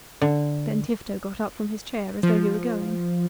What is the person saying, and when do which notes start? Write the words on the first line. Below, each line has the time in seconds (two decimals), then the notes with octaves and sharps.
Then Tifto got up from his chair, as though he were going.
0.22 D3
2.23 F3